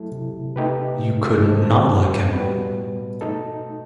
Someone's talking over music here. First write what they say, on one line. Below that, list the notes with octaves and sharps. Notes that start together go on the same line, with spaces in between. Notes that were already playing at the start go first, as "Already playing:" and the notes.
You couldn't not like him.
Already playing: F#3 A3 E4 A4
C3
C3
C3 A3 D#4 G4 B4
C3
B2 D#3 G3 D#4 A4 C5
A2 G3 B3 F#4 B4
A3 D#4 A4